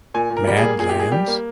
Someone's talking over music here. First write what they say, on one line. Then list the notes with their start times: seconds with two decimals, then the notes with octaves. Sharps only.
Mad Lands?
0.14 A#2 G#5
0.30 A#2
0.37 A#4
0.47 G3
0.57 G#4
0.62 A#3
0.79 A#2 G#4
0.89 G4
0.95 A#2 G#4
1.12 G3 G4
1.28 A#3